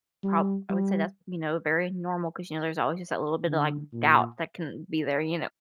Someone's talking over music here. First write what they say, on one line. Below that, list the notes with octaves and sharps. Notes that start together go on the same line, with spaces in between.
prob I would say that's, you know, very normal 'cause, you know, there's always just that little bit of, like, doubt that can be there, you know?
G3
G3
D3
A#2